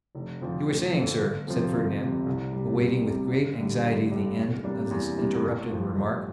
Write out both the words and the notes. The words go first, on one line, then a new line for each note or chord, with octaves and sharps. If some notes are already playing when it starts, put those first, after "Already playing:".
"You were saying, sir"--said Fernand, awaiting with great anxiety the end of this interrupted remark.
F1
F2 D3 F3
F1
F2 D3 F3
G1
F2 C3 F3
G1
F2 C3 F3
C2
C3 G3
C2
C3 G3
G1
G2 D3 G3
G1
G2 D3 G3
E2
C3 G3 A#3 D4
E2
C3 G3 A#3 D4
A1
G2 F3
A1